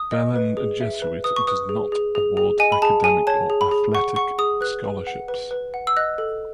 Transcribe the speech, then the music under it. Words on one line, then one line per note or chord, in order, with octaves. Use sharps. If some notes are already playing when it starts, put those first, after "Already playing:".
Belen Jesuit does not award academic or athletic scholarships.
Already playing: D#6
D#5
B4
G#4
E5
B4
B4 D#6
C#6
B4 D#6
G#4
G#4
G#4
G#4
D#5 G#5
B5
G#4 A5
G#4 G#5
C#5 A5
G#4
B5
G#4
F#5 C#6
F#5 C#6
G#4 D#6
B4 F#6
B4
F#5
B4
B4
F#5
E6
D#5 F#6
A4